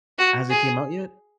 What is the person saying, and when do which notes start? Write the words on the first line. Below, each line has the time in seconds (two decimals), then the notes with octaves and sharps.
Has it came out yet?
0.19 F#4
0.50 G#4